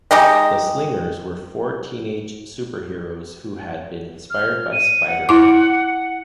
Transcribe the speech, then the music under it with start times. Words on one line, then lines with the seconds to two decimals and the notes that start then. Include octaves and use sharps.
The Slingers were four teenage superheroes who had been inspired by Spider-Man.
0.11 G#3 D#4 G4 D#5
4.30 F6
4.72 D#7
5.07 F#5
5.29 E4 D6